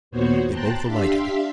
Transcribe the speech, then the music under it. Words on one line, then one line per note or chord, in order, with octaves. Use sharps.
They both alighted.
D#2 A#2 B3 F#4 C5 C#5
G5 A5 A#5 C6 F#6 A6
D4 G4 E5 F5 C6 B6